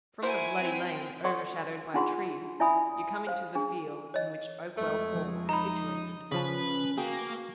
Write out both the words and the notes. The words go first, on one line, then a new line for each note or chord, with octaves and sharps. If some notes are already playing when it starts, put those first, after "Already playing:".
From the "Bloody Lane," overshadowed by trees, you come into the field in which Oakwell Hall is situated.
E4 F#4 A#4 C5 G#5
C4 G5
A4 B4 D5 F#5 C6 C#6
D4 D#4 F4 G#4 F#5 C6
E4 D5 E5 G#5 B5 D#6
C5 F5
D4 G#4
C#5 D#5
F2 G#3 A3
F3
D#4 A#5 B5
C#3 F3 C#4 B4 A5
A#3 F#4 G#4 G5